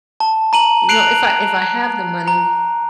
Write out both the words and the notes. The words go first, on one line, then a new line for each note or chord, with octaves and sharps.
you know, if I if I have the money,
A5
A#5 D#7 F#7
F#6 C7 D7 F7 F#7
A#5